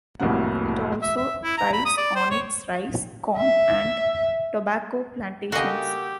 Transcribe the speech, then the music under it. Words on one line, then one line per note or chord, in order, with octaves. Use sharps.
It also thrives on its rice, corn and tobacco plantations.
F1 C2 A2 F#3 A#3 F#5
E5
E5
E4
A#5
B5
D#6
D5
C5
C#5
E5
C#3 A#3 F#4 G4 A4 D#5 F#5 G#5